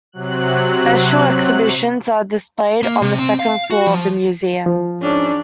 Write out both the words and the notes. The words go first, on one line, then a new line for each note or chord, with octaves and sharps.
Special exhibitions are displayed on the second floor of the museum.
C3 F#3 F#6
A#3
C3
C4
F5
F#4
F3
F3
G#2 C#4 D4